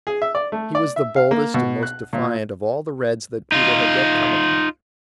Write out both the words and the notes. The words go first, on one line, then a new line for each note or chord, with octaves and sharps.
He was the boldest and most defiant of all the Reds that Peter had yet come upon.
G#4
E5
D5
A3
D5
E5
F5
A#3
B2
F#6
A#2
D#4 F4